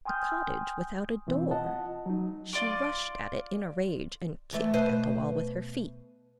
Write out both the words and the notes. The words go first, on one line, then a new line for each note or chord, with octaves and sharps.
A cottage without a door!--she rushed at it in a rage and kicked at the wall with her feet.
G5 G#5 C6 D#6 F6 G6
B2 E3 C4
F4 D#5 F#5 A5
F#3 D#4
F4 D5 C6 D6
E3 A3
B2 B4 C5